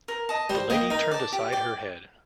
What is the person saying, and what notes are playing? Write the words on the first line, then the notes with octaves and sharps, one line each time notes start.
The lady turned aside her head.
A#4
D#5 A5
G3 C5
A#3 D#5 G5
D#4 A#4
D5 A5
G4
D5 G5